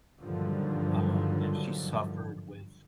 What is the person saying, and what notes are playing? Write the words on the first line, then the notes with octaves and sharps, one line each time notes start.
um, and she suffered with
G2 A#2 D3 D#3 F3 F#3